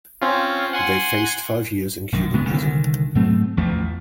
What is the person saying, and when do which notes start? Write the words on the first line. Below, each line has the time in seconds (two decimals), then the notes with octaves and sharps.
They faced five years in Cuban prison.
0.22 C4 C#4 F4
0.73 F#5 G#5 C6
2.12 A#1 F#2 D#3
2.33 D#1 C#3 G#3 B3
2.50 C2 D3 D#3
3.15 G#2 F#3 A3 C4
3.57 A1 E2 F3 A3